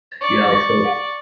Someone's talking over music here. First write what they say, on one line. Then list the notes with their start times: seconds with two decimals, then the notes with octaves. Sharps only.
you know? So
0.21 D5 C#6